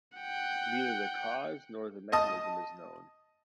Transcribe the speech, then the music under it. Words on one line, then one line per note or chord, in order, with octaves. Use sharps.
Neither the cause nor the mechanism is known.
F#5 G5
D#5 A5 D#6